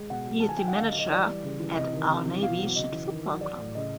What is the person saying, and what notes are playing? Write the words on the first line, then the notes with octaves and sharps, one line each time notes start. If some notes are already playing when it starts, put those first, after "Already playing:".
He is the manager at Al-Nabi Chit football club.
Already playing: G#3
B2 F#5
F#3
D#3 A5
G#5
F#3 G5
F#5
D3 F5
D#5
F#3
D#5
E3 D5
G3
C#3
E3
C3 D#5
D#3
C3
E3
B2 F5
F#3
C#3 D#5
E3
D#3
F#3
F#3 D5
A2
C#3 D#5